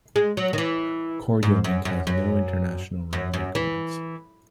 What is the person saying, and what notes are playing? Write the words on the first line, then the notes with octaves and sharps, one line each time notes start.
Koryolink has no international roaming agreements.
G#3
F#3
D#3
E3
G#2
F#2
F#2
F#2
F#2
F#2
E3